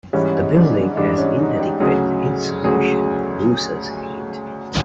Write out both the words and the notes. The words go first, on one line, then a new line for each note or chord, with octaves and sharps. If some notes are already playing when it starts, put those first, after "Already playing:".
The building has inadequate insulation and loses heat.
G#2 E3 G3 C#4
D4
G#2 E3 G3 D4
C#4
D#4
G4
D2 C#3 F#3 G#4
D2 C#3 F#3 G#4